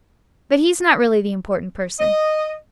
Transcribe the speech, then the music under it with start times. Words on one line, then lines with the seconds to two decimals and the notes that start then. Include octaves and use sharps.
But he's not really the important person.
2.00 D#5